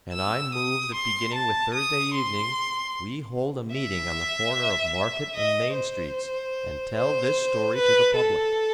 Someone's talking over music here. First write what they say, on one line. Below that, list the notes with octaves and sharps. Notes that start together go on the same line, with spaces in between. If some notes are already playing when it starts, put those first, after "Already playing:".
And I move that beginning with Thursday evening, we hold a meeting on the corner of Market and Main streets, and tell this story to the public.
E6
D#6
C6
A5
D#6
C6
E5
D#5
C5
C5
B4
A4